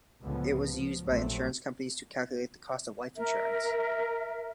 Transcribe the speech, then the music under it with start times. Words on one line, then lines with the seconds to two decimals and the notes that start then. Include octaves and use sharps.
It was used by insurance companies to calculate the cost of life insurance.
0.23 C#2 A2 D3 F3 B3
0.69 F3
1.06 F1 A#1 F#3 A3 C4
3.17 A#4 E5